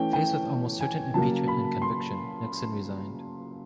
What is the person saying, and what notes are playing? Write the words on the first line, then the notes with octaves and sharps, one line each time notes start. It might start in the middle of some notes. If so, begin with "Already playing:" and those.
Faced with almost certain impeachment and conviction, Nixon resigned.
Already playing: E3 A3 C#4 G5
G5
G#5
C#3 F#3 A#3 A5
B5
C6